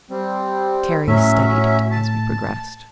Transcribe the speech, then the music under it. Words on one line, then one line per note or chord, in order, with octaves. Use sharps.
Terry studied it as we progressed.
G3 C4
A2 F#3 C#4 E5
A5